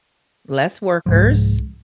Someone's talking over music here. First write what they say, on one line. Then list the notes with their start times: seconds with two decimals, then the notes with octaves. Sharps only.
Less workers
1.06 C2 G#2 F3